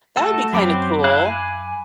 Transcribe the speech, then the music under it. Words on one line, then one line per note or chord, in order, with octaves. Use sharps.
That would be kinda cool.
A3 F#4 A4
F#2 F#3 C4 B5 D6
E4 F5 F#6
G#5